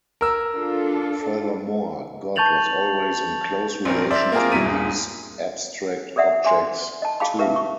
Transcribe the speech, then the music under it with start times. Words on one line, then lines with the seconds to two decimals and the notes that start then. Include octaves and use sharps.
Furthermore, God was always in close relation to these abstract objects, too.
0.21 A#4 E6
0.54 D4 F4 A4
2.36 A5 C#6 G6 A6 F7 F#7
3.85 A#1 C4 A#4
4.10 C5 D5 E5
4.32 A#3 C4 F4 G#4 A#4
4.52 G2 B2 E4 A#5 B6 D#7
4.65 D#1 G#4
6.16 G#4 A4 D5 E5 F#5
6.44 G#4 E5 G#5 C6
7.02 D#5 A5
7.20 G#4 F5 A5 B5
7.39 G4 A#4 B4 E5 F5
7.56 C#6